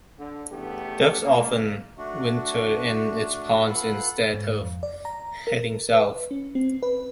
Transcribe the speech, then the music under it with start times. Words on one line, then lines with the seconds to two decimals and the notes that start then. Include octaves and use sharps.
Ducks often winter in its ponds instead of heading South.
0.18 D3
0.50 A1 E2 A3 B3 G4
1.22 C#2 A#3
1.98 A3 D4 F#4
3.66 F4 A4 B4 F#5
4.34 G#2
4.61 F2
4.83 D5
5.05 A#5
5.47 A#4
5.93 B4
6.31 C#4
6.55 C4
6.83 B4